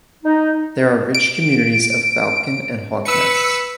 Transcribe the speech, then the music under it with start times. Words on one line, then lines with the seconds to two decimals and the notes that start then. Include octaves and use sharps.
There are rich communities of falcon and hawk nests.
0.24 D#4
1.15 D7
3.05 B4 E6 C#7